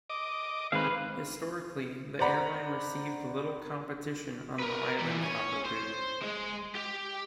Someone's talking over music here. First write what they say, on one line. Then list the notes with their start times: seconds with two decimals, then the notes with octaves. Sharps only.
Historically the airline received little competition on the "island-hopper" route.
0.10 D#5 D6
0.72 D#3 G#3 C4 B4 F5
2.19 C5 D5 F#5 A#5 B5
4.59 A#4 B4
4.99 E3 G3
5.24 C#5 G#5
5.66 C5
6.23 G#3
6.75 G4